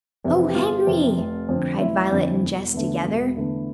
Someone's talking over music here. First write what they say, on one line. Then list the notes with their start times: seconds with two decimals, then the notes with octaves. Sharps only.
"O Henry!" cried Violet and Jess together.
0.24 F2 C3 E3
0.48 G4
0.55 G1 F4
0.87 F2 C3 E3
1.17 F1
1.49 F2 D3 F3
1.80 F1 E4
2.11 F2 D3 F3
2.43 E1
2.74 E2 D3 A3
3.04 E1
3.37 E2 D3 A3